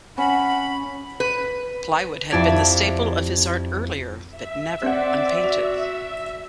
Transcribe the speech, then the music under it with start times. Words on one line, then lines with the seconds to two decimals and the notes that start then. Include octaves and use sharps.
Plywood had been the staple of his art earlier, but never unpainted.
0.18 C#4 F#5 B5
1.20 B4
2.31 F2 E4 G4 D5 A5 G#6
4.29 E5
4.83 C4 D5 F#5
5.44 F#4 F7